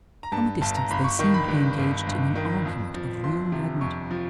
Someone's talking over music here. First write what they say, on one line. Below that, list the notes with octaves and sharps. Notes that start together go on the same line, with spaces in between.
From a distance they seemed to be engaged in an argument of real magnitude.
A#5
G2 A5
G1 A5
A#5
G1 B5
C#6
D#3 C#6
B5
G2
G1
G1
D#3
F2
F3
G1 C6
C3
F2 C#6
F3